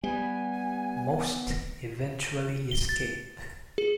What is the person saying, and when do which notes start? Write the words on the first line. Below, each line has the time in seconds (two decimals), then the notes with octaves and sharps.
Most eventually escape.
0.04 G3 B3 G#5
2.71 G7
2.89 A6
3.78 G#4